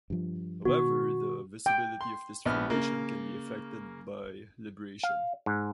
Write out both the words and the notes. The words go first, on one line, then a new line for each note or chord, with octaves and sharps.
However the visibility of this formation can be affected by libration.
G2 F3
B2 D#3 B3 F#4
G5
C6
A#1 B3 F6
C#3 A#3
F5
G#2